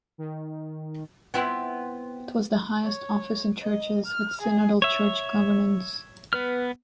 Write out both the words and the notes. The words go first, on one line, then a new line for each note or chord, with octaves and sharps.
It was the highest office in churches with synodal church governance.
D#3
B3 C4 E4
C#5
D#5
F6
G#4
C#5 E5
B3 B4 F6